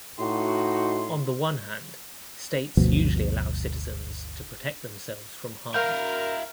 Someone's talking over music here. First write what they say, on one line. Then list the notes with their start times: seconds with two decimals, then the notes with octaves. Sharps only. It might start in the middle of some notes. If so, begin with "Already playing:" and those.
On the one hand, states usually allow citizens to protect themselves from harm.
0.19 A2 D#4 F#4 C6
2.77 G1 D2 B2 F3
5.74 E4 A#4 F5 G6